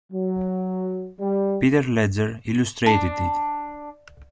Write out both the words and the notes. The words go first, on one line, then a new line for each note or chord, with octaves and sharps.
Peter Ledger illustrated it.
F#3
G3
D4